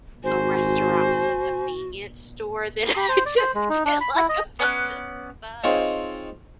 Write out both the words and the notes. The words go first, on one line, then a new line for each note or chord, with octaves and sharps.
a restaurant with a convenience store, then I just get like a bunch of stuff.
G#1 F#4 C5 G#5
G4
C5
D5
C5
G#3
D#4
D4
B5
E4
D#5
B3 C#4 D5 F#6
C4 D#4 F4 G#4 C#5 D#5